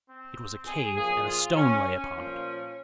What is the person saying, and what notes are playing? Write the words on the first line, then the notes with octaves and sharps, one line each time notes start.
It was a cave, and a stone lay upon it.
C4
G#4
A#2 F3 G#4
F4
C#4
C#4
A#2 F3